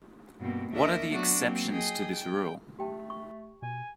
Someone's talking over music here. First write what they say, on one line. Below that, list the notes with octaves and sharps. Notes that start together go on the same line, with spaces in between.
What are the exceptions to this rule?
G2 B2 A#3 C4
D#2 A3 D4 A#4 D#5 E5
F#3 A3 B3 D4 F#4
F#3 A#3 C4
G#4 D#5 G5
G5
A3 G4 G5 A5
C#6
B2 G#5